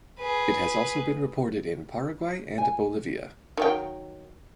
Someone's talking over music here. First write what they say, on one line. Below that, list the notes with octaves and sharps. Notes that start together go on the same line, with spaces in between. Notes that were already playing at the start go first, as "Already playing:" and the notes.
It has also been reported in Paraguay and Bolivia.
G#4 B4
G#5
D#3 F#3 G5